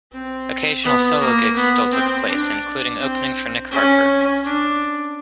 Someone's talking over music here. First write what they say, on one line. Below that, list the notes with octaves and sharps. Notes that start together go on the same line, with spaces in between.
Occasional solo gigs still took place, including opening for Nick Harper.
C4
B3
A#3
B3
C4
D4
C4
C#4
D4